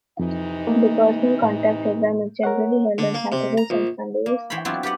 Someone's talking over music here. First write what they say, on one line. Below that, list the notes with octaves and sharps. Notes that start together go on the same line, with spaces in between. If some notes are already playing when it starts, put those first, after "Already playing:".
The Personal Contact Programme is generally held on Saturdays and Sundays.
F2 C3 E3 D#4
A3 A#3
A2
A#4 C#5 F#5
D3
A#3
C3
A#5
A#1
A#3
E3 C5 C#5 G5 B5
F#3 B3 C4 D4 E4 F4
G4 B4 D5 F#5